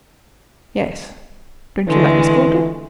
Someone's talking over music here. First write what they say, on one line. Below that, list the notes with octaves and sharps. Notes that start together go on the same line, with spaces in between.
"Yes; don't you like this quarter?"
D3 E3 G#3 A3